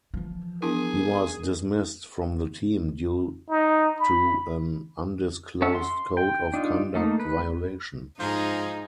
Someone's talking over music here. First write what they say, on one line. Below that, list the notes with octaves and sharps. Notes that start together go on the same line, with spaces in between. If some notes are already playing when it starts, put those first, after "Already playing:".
He was dismissed from the team due to an undisclosed code of conduct violation.
E3 F3
B3 D4 E4 G#4 A#4
D#4
B5
C#4 A4 E5 F#5
C6
G5
D4 D#4 F4
A3 A#3 D#4
B4
G#2 F3 D#4 G#4 A#5